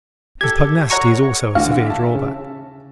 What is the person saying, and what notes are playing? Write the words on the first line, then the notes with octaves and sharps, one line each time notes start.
His pugnacity is also a severe drawback.
G4 A4 G#6
F#4 C#5 F#5 A#5 C#6
D#2 A2 D3 E3 F#4 F5
E5 A5
C#3